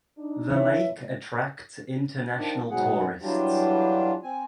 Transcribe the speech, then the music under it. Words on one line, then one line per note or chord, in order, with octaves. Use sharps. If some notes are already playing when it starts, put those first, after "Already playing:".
The lake attracts international tourists.
D4 D#4
E3 C#5 E5
D#3 F3 D4
G#2 B2 F#3 B3 G#4 F#5
E3 F#3 G3 D4 F4 G4
C4 G#5